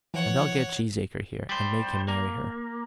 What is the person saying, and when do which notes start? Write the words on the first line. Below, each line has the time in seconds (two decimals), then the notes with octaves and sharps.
And I'll get Cheesacre here, and make him marry her.
0.14 E3 F3 C#5 F#5
1.49 G3 C5
2.08 A#3